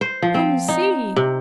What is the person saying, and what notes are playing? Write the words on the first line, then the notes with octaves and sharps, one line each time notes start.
"Come, see!"
C5
F3
C4
D#4
C3